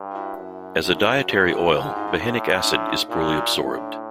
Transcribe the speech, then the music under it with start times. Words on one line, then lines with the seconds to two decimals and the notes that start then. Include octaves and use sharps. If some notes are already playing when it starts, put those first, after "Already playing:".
As a dietary oil, behenic acid is poorly absorbed.
Already playing: G2
0.11 F4
0.15 E4 F#4
0.38 F#2
0.83 F#2 D#4
0.96 E4
1.06 F4
1.17 F#4
1.28 G2 F4 G4
1.51 E4 F#4
1.74 G#2 F4 G4
1.85 F4 G4
1.96 D#4 F4
2.07 D#4 F4
2.19 A2
2.64 D4 E4
2.87 D#4 F4
3.10 A#2 E4 F#4
3.25 F4 G4
3.40 E4 F#4
3.55 A2 D4 E4
3.78 D4 E4